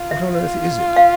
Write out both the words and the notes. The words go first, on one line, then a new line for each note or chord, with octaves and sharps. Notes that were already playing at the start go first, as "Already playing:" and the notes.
"What on earth is it?"
Already playing: F4
E5
F4
F5